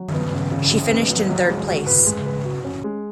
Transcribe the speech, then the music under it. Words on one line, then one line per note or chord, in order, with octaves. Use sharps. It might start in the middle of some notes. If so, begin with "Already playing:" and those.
She finished in third place.
Already playing: F#3
B3
C#3
C#3
C#3
B3
F#3
F#3
G#3
F#4
B4
G#3
B4
F#4
C#4
G#3